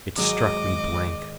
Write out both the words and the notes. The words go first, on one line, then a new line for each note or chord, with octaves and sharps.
It struck me blank.
G#1 F#3 G#3 D#5 D6